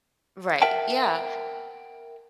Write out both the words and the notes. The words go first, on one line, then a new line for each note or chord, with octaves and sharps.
Right. Yeah.
A#4 E5 F#5 G5 A5